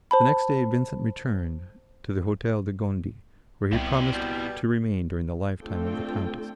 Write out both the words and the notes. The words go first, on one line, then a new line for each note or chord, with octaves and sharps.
The next day Vincent returned to the Hotel de Gondi, where he promised to remain during the lifetime of the Countess.
C5 A5 B5
C2 C3 B3 E4 D5 E5 G5
B2 G3
A3 C4 D4 F4 A4 G5